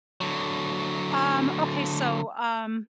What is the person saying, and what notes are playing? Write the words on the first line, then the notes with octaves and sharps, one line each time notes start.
Um, okay, so, um,
D3 F#3